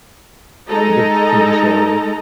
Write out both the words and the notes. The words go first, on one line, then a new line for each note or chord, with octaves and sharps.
a good TV show,
G#3 D#4 A4 D#5 A#5